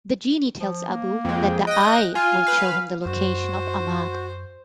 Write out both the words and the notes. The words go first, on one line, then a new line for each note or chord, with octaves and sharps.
The genie tells Abu that the Eye will show him the location of Ahmad.
F3
A#3
F2 G#3 G5
D#5 G5 F#6 A#6
F4 G#5 F6
B4 F5
F#2 F#4 C5